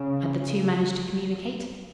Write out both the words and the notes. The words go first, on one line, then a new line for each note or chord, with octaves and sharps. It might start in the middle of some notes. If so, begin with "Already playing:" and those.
Had the two managed to communicate?
Already playing: C#3